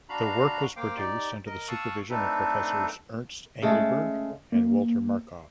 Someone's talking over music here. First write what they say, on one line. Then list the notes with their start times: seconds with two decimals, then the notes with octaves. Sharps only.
The work was produced under the supervision of Professors Ernst Engelberg and Walter Markov.
0.09 D4 F#4 F5 A#5 B5
0.77 A#3 C5 F5 G5 D6
0.97 D#4 G4 D5
1.46 A#4 D#5
1.68 F5 A5 C#6 D#6 E6 F#6
2.10 A3 C4 D4 D#4 A4 B4
3.62 C#3 G#3 A3
4.52 A#3